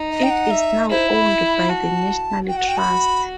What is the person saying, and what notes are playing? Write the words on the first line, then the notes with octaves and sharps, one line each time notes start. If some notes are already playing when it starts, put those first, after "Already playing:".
It is now owned by the National Trust.
Already playing: D#4
D#5
G5
F#5
E5
E4 C5
B5
B5
F#4 A5
F#4 G5
F#5
G5
B5